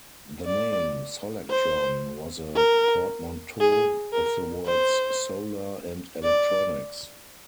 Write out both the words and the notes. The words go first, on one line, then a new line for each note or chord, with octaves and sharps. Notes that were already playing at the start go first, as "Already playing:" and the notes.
The name "Solectron" was a portmanteau of the words "solar" and "electronics".
D5
C5
A#4
G#4
A#4
C5
D5